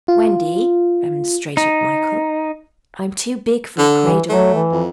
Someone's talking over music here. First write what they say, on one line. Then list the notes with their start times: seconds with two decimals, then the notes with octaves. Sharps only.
'Wendy,' remonstrated Michael, 'I'm too big for a cradle.'
0.08 F4
1.57 D#4
3.78 D3
4.04 E3
4.29 F#3 A3
4.54 E3
4.72 F2